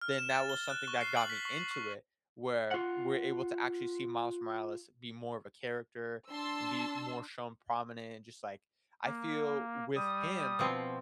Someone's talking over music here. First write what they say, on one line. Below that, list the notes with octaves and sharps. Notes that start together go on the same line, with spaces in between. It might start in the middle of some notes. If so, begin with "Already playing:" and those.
then that was something that got me into it where we're able to actually see Miles Morales be more of a character and be more shown prominent, and just, like I feel with him,
F6
E7
A6
G7
F#6
C#6
C7
F#7
B6
C#6
C#6
F4 F#5
D4 A5 C6 E6
A#3
G3 D#6
B2 F3 C4